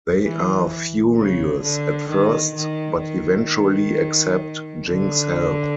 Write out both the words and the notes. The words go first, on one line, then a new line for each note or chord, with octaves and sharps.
They are furious at first, but eventually accept Jing's help.
E3
C#3
D3
D#3
D#3
D#3
D3